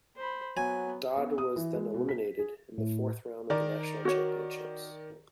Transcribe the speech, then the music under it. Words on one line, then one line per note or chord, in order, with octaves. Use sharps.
Dod was then eliminated in the fourth round of the National Championships.
C5 B5
F#3 B3 G#5
B3
D#6
E3
G#3
B2
B6
G#4
A2
D#3 A#4 D5
F#4 C#5